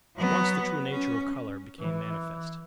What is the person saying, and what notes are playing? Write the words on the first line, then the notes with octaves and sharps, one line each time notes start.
At once the true nature of colour became manifest.
F#3 B3
C#4
E3